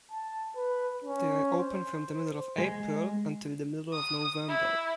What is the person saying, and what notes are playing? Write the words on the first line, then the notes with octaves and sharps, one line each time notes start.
They are open from the middle of April until the middle of November.
A5
B4
C#4
C5
G#3
D#6
E4